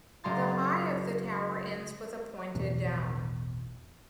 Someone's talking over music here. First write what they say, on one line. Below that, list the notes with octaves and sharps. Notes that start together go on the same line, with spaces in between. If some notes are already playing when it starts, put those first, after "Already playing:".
The high of the tower ends with a pointed dome.
F#1 A#5 C6 A6
A1 E2 B2 E3